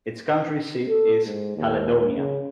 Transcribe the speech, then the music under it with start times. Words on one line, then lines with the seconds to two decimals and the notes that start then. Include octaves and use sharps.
Its county seat is Caledonia.
0.88 A4
1.26 G#2
1.56 D#2
2.16 C#3